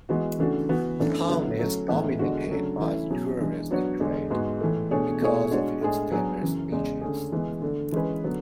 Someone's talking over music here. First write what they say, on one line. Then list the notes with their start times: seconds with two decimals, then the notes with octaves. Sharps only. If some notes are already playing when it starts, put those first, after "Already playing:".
The town is dominated by the tourist trade, because of its famous beaches.
0.09 E3 G#3 B3 F#4
0.38 C#3 E3 A3 D4 F#4
0.69 E3 B3 F#4
1.00 F#2 E3 A3 D4
1.29 D3 F#3 B3 E4
1.59 F#3 A3 C#4
1.89 A2 E3 G#3 B3 E4
2.19 E2 D3 G#3 D4 F#4
2.49 C#3 F#3 A3 D4 A4
2.80 E3 A3 C#4 E4 B4
3.10 B2 F#3 C#4 G#4
3.40 E3 G#3 D4
3.71 F#3 B3 D4 F#4 C#5
4.00 E2 D3 G#3
4.31 G#2 G#3 B3 F#4
4.61 A2 E3 A3
4.91 B2 A3 D4 G#4 C#5
5.22 B2 A3 E4 G#4 C#5
5.51 G#3 D4 F#4 C#5
5.81 A2 G#3 D4 G#4
6.12 F#3 B3 D4 G#4
6.42 F#2 C#3 E3
6.72 E2 C#3 G#3
7.01 D3 A3 C#4 G#4
7.32 E3 G#3 B3
7.62 D3 A3 D4
7.92 E3 G#3 C#4 G#4 B4
8.24 D3 F#3 B3